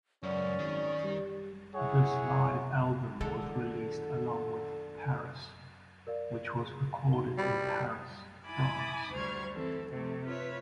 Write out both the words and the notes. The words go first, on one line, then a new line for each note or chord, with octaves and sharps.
This live album was released along with "Paris", which was recorded in Paris, France.
C#2 F#2 C#4 D5
G#1 D#3
G3
E4 G#4 C#5 F#5
D3 D#3 G#3 A4
A#4 D5 F5
G#4
D#4 F#4 G7
G3 B5
E4 G#5 A5 B5 D6 D#6
D2 G3 C5 C#6 F6 G#6
E3 C4 A4
C3 F3 A3
F4 B4 C#5 E5